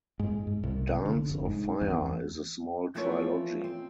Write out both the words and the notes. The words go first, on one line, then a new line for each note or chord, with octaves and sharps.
"Dance of fire" is a small trilogy.
G#2
G#2
C2
D3
F1
G#2
E2
E3 F3 A3 C4 B4 C#5
C4